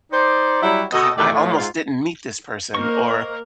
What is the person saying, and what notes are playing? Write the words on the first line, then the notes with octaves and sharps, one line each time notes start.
"God, I almost didn't meet this person," or,
D#4 C5 D5
F#3 G3 E4
B2 B3 F#4 A4 D#5
E2 B2 D#3 A3 G4 D5
A2
G#2 F4
A#3 A#4 C5 D#5 C#6